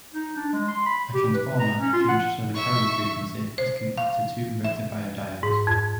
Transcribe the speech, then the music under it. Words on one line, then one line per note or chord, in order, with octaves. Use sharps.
A transformer, tuned to the carrier frequency, is connected to two rectifier diodes.
D#4
D4
G#3
C6
B5
G4
B4
A#5
C#4
F4
F#5
E5 C#6
C5
F5
E5
G#2
F2